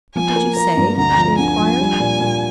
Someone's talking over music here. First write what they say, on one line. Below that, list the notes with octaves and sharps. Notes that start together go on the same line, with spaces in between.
"What did you say?" she inquired.
F3 G#5
A#3
A#3 A#5
G2
D2 A#5
F3
D3 G#5
F3
G3
A#2
A#2